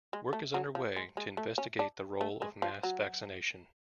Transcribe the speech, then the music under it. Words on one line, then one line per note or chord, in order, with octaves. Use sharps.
Work is under way to investigate the role of mass vaccination.
G#3
A3
F#3
F3
G#3
G#3
A3
C#4
D4
A3
G#3
F3
F#3